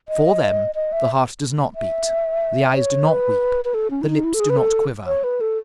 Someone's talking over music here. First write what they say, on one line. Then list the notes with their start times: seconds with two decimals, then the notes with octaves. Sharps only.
For them the heart does not beat, the eyes do not weep, the lips do not quiver.
0.08 D#5
0.75 D#5
0.92 E5
1.75 E5
2.75 C#5
3.08 B4
3.65 B4
3.74 A4
3.91 C#4
4.02 E4
4.08 D#4
4.24 E4
4.34 A4
4.40 G#4
4.50 B4
4.57 A4
5.07 C#5
5.24 B4
5.41 A4